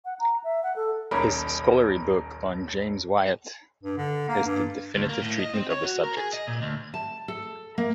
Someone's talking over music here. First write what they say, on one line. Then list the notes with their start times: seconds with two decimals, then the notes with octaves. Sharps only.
His scholarly book on James Wyatt is the definitive treatment of the subject.
0.05 F#5
0.19 A#5
0.44 E5
0.63 F#5
0.76 A4
1.11 D#1 B1 C#4 A#4 B5
3.83 G2
3.97 D3
4.28 A#3
4.45 G2
4.95 D2
5.09 A#3
5.21 A2
5.39 D#5
5.54 C4
5.70 C#5
5.84 F#4
6.03 A#4
6.17 G#4
6.33 D#5
6.47 A#2
6.62 D2
6.94 A5
7.28 A4
7.78 A#3